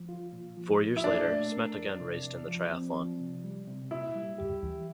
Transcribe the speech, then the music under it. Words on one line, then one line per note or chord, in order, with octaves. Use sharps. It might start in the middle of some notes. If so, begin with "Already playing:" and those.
Four years later, Smet again raced in the triathlon.
Already playing: F3
F4
A#2
F3
A#2
E4
A#2 D4
A3
A#4
F2
C3
F2
F3
C4
F3
C3
G3
C3
A#2 E4
G3
G4
E3